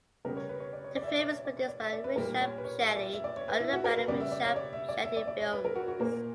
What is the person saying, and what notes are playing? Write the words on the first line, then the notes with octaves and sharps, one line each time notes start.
The film is produced by Rishab Shetty under the banner Rishab Shetty Films.
C#3 G3 B3 A#4
C#5
B4
C#5
D5
C#5
D5
E5
D5
D5
C#5
D5
C#5
D5
E5
D5
B4
A#2 G3 A#3 A#4
C#5
B4
C#5
E5
D5
E5
D5
C#5
B4
E4
F#4
A#4
B4
C#3 G3 B3 D5
E5
D5
C#5
D5
E5
D5
E5
D5
D5
C#5
B4
A#4
F#4
F#4
A#2 A#3 A#4